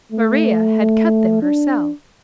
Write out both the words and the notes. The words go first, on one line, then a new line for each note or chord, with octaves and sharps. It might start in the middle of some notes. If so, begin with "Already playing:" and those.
Maria had cut them herself.
A3
D4